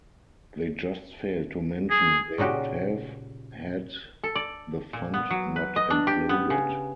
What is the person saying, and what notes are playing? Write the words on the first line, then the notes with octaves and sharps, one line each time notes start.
They just failed to mention they would have, had the fund not imploded.
G#4
A#2 C#3 D#4 F#4 G4
A4
D5
A#2
B3
F#3
B4
D#5
D4
G4
B3
C#3